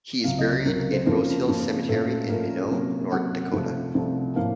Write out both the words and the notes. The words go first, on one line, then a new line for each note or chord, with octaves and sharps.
He is buried in Rosehill Cemetery in Minot, North Dakota.
C#2 C3 F#3 F5
D#5
C#2 C3 F#3 A#4
A#4
C5
F2 C#3 F3 A#3 C#4 A#4
F2 C#3 F3 A#3 C#4
A#2 A3 C#4 A4
A#2 A3 C#4 A#4
C3 F#3 A#3 C#4
C3 F#3 A#3 C#4 F#5
C2 C3 F3 A3
C2 C3 F3 A3
A2 F3 A#3 F5